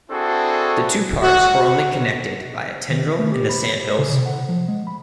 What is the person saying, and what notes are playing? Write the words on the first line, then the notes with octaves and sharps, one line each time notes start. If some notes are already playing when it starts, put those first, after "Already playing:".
The two parts were only connected by a tendril in the Sandhills.
C4 D4 E4 F#4 G#4 A4
F#4
D#3
A3
G4
B5
C#5
C5
C#3
C3
F#5
F3
G#3
B5